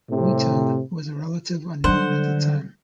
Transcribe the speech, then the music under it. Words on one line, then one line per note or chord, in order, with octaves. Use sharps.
Whetung was a relative unknown at the time.
A2 C3
D3 F#3 G3 C5 F#5